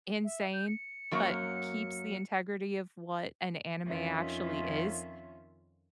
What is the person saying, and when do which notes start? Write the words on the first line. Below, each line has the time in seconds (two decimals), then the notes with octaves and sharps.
insane, but keeps the integrity of what an anime actually is,
0.24 E5
0.53 G6
0.67 C#7
1.11 F#2 F#3 A#3
3.85 F2 D#3 C#4 F4 E5